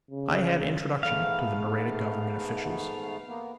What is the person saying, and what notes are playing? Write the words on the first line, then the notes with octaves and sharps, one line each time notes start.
I had introduction to the Nareda government officials.
C#3
G#2 A3 B3 F5
A#3 B3